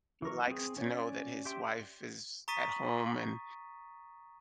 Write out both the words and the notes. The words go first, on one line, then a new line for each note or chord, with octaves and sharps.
He likes to know that his wife is at home and,
E3 F#3 A#4 C#6
C4 G#4
C#4 C#5 D5
G4 E5 G5 C6
A#5 C#6 D#6 A6 B6 D#7